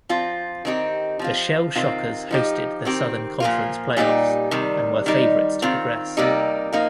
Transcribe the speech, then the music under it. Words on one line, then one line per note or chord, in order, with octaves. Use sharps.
The Shell Shockers hosted the Southern Conference playoffs and were favorites to progress.
F3 C4 F4
D#3 C4 D#4 G4
F3 C4 F4
C3 D#3 C4 F4
F3 D#4 G4
D#3 C4 G4
A#2 F3 A#3 F4
A#2 G3 D#4 G4
C3 D#3 G3
D#3 G3 D#4
D#3 C4 F4
C3 G3 A#3 D#4 G4
F3 A#3 D#4